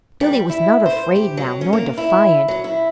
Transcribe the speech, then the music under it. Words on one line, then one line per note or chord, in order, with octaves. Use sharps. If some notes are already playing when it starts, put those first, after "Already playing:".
Billy was not afraid now, nor defiant.
G3
E4
C5
G4
F#3
C#4
A#3
E4
F#3
E4